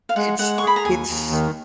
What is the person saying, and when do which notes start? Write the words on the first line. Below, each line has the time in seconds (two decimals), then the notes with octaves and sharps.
It's it's
0.09 F5
0.16 G#3 F#5
0.39 G#3 F#5
0.58 C#6
0.63 G#4 B5
0.76 A#5
0.85 D#2 G#5
1.08 D#2
1.31 D#3